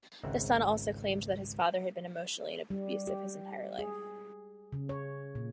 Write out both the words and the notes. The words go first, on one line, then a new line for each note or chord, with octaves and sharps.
The son also claimed that his father had been emotionally abusive his entire life.
G#1 C#2 G#2 C4 E5 F#5
G3
G4
G#4
C#3
C#5
A#2